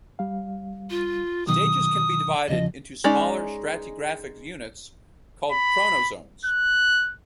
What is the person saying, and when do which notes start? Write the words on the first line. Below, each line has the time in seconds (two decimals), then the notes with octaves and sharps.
Stages can be divided into smaller stratigraphic units called chronozones.
0.19 G3 F5
0.90 F4
1.47 B2 D#3 F#3 D#6
2.48 E2 C#3 F3 D#5
3.04 G#3 C#4 D#4 D5
5.52 B5
6.45 F#6